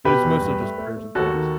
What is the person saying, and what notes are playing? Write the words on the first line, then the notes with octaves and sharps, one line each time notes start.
But it's mostly just prayers and thoughts.
B2 G4 B4
E2
G2
A3
A3
A3
D#2 F#4 A4
D#3